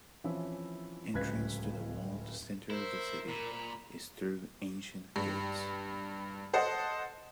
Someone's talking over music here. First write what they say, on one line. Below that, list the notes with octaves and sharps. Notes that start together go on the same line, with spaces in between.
Entrance to the walled center of the city is through ancient gates.
E3 F3 C4 C#4 E4
D1 C#2 B4 F#6 G#6 B6
E4 A#4 C5
A#2 B5
G2 G3
A4 C5 D#5 F#5 A5